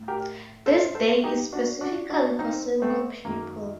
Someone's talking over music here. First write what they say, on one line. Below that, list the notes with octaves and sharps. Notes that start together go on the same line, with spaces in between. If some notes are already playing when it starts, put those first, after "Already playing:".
This day is specifically for single people.
Already playing: A2
G4 A#4
A4 C5
A4 C5
D#4 G4
D4 F#4
D4 F#4
D4 F#4
C4 D#4
A3 C4
F#2 D#3 A#3